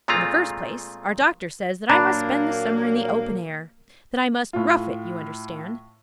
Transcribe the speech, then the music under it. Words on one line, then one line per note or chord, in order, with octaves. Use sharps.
In the first place, our doctor says that I must spend the summer in the open air--that I must rough it, you understand.
A#2 G#3 A3 C4 F4 A#5
A#2 F#3 A#3 D4 A#5 B5
A2 F4